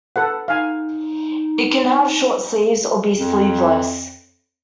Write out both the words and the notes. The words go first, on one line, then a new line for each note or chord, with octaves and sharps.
It can have short sleeves or be sleeveless.
A4 B4 F#5
D#4 F5 G#5
F2